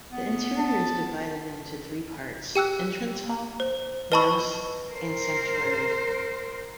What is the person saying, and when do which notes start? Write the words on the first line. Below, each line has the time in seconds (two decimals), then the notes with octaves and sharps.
The interior is divided into three parts: entrance hall, naos, and sanctuary.
0.12 B3
0.59 A5
2.55 G4 G5 E6 F#6
3.60 C5
4.12 B4 D#5 A5 B5 C#6 E6
4.90 A#4 C5